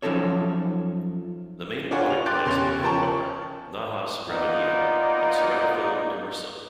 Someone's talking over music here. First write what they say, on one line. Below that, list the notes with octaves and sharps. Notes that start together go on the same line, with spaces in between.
The main aquatic plants in the lake are "Najas graminea" and "Ceratophyllum demersum".
F#2 F3 C#4 D#4 A4 C#5
D4 F4 G4 C#5 F#5 G#5
F7
G5 C6 D6 F#6 A6 D7
E2 C#3 G4 C#5 C6 F7
F3 C#4 A#4 G5 A5 C#6
A#3 B3 D#4 F4 D5